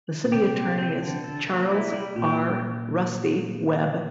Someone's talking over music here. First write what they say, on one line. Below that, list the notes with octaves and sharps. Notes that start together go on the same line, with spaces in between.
The City Attorney is Charles R. "Rusty" Webb.
A#2
C3 G4
C4
C4
D3
A4
A#3
E4
G3
A#2 G4